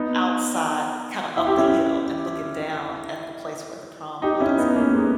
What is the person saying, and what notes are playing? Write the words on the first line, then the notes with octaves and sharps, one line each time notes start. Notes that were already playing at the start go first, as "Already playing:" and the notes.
outside, kind of up the hill and looking down at the place where the prom was,
Already playing: B3 D#4
E4
G4
C#4 E4
D#4 G4
C#4 E4
B3 D#4
A#3 C#4
G#3 B3